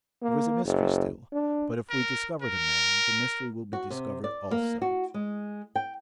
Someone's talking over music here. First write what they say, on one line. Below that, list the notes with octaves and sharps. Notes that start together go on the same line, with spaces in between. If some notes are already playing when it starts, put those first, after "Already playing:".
There is a mystery still, but if we discover the man, the mystery will be discovered also.
A#3
F#1
D4
A#4
A#4
F#4
C3
D5
A#3
F#4
G#3
G5